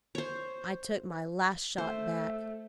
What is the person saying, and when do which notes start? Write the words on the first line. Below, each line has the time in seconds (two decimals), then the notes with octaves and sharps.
I took my "Last Shot" back.
0.15 C5 C#5
1.78 A3 C5